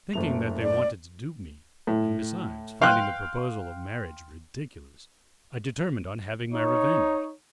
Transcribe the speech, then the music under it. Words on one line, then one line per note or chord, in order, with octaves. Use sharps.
Thinking that they wanted to dupe me, and besides, finding the proposal of marriage ridiculous, I determined on having my revenge.
F#1 A3 F7
D5
A2
F5 G5 C6 F#6
D#4 C#5